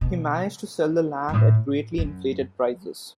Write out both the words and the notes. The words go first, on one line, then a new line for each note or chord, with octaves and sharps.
He managed to sell the land at greatly inflated prices.
B2
G2
A2
F#2